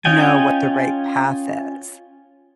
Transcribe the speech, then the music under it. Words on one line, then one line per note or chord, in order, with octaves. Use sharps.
know what the right path is?
C#4 F4 D#5 G5 G#5